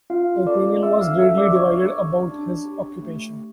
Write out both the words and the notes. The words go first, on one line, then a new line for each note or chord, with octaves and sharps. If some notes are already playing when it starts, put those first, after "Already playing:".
Opinion was greatly divided about his occupation.
C#4 F4 F5
F4 A4 D5 D6
C#4 E5 E6
F5 F6
F4 A4 E5 E6
D5 D6
D4 C#5 C#6
G4
D4
G4
A3